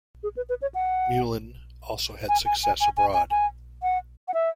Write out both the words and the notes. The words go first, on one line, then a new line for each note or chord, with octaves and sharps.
Meulen also had success abroad.
G#4
B4
B4
C#5
F#5
G#5
G#5
G#5
G#5
G#5
G#5
G#5
F#5
F#5
E5